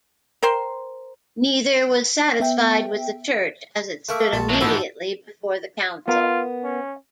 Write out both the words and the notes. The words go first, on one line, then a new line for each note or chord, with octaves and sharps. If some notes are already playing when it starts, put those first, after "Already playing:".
Neither was satisfied with the Church as it stood immediately before the Council.
A#4 C5 G5 C6
B3 E5 G5
A3 A#3 E5 C#6
A#1 A#2 F#4 A5
A2 F3 F#3 G#3
G#2 E3 F3 D#4 F#4 A4
B3 F4 A#4
C#4